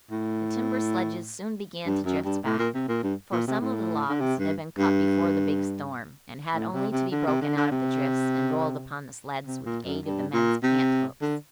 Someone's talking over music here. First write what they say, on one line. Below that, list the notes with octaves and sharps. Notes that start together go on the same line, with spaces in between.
The timber sledges soon began to drift back, for some of the logs had been cut before the big storm, and had only to be broken out of the drifts and rolled upon the sleds with the aid of the men's canthooks.
A2
G2
F#2
G2
A2
A#2
C3
A#2
G2
A#2
C3
A2
D3
C3
G2
G2
A2
C3
C3
D3
C3
D3
D3
C3
C3
A#2
F#2
G2
A#2
C3
D3